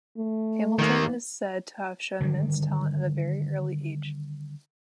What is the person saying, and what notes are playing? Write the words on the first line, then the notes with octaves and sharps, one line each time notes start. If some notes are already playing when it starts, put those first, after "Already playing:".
Hamilton is said to have shown immense talent at a very early age.
A3
D#3 A#3
D3 D#3 G3